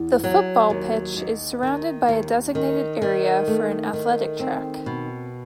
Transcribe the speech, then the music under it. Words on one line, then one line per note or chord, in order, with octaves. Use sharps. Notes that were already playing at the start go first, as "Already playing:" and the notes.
The football pitch is surrounded by a designated area for an athletic track.
Already playing: E2
F#3
D#2
D#2
D#3
D#2
D#3
D#3
A3
D#3
C4
B2